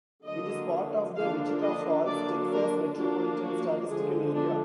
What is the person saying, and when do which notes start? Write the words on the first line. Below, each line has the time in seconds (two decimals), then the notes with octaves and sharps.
It is part of the Wichita Falls, Texas Metropolitan Statistical Area.
0.25 D3 F#3 A#3 D#5
1.15 D3 F3 A#3 D4 F5
1.61 D#5
2.06 D3 F#3 A#3 D4 D5
2.52 A#4
2.97 F3 A#3 D4 F#4
3.43 F#4
3.89 D3 F3 G#3 G#4
4.34 D4